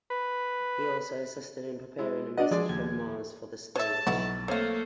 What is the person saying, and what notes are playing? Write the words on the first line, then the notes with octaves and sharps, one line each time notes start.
He also assisted in preparing "A Message From Mars" for the stage.
B4
G#3 E4
D4 F#4 D#5 F#5
F3 G#3 G#4 D5
D#2 G#6
C#5 E5 A5
B1 E3 E4 F#4
A3 A#3 C4 C#5 F5